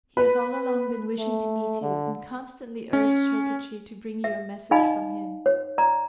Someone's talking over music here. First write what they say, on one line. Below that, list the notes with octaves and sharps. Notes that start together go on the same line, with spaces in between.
He has all along been wishing to meet you, and constantly urged Chokichi to bring you a message from him.
B4
A3
D3
C#4
E5
D#4 D5 D#5 F5 G#5 B5
C#5
D5 A#5